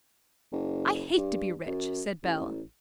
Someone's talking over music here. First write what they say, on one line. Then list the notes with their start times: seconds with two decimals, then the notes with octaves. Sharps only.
"I hate to be rich," said Bell.
0.53 F#1
1.17 G2
1.67 F#2
2.24 A1